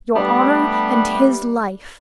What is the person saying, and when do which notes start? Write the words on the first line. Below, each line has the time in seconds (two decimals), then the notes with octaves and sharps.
Your honor and his life!
0.15 G3 A3 B3 D4